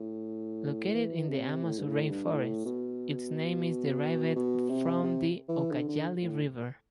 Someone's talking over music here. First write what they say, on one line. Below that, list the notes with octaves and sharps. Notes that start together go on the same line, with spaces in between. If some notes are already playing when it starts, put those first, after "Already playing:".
Located in the Amazon rainforest, its name is derived from the Ucayali River.
Already playing: A2
E3
C3
A2
G2
A2
G2
A2
B2
B2
C3
C3
E3
D3
D3
A2